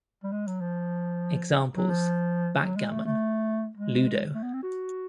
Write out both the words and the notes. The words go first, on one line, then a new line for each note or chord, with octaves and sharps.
Examples: backgammon, ludo.
G3
G#3
F#3
F3
F#3
F3
F#3
G#3
A3
A3
G#3
A3
B3
C4
F#4